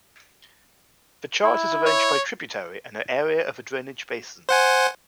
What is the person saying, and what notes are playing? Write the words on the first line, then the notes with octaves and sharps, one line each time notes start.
The chart is arranged by tributary and area of the drainage basin.
E4
C#5
C5 F#5 G#5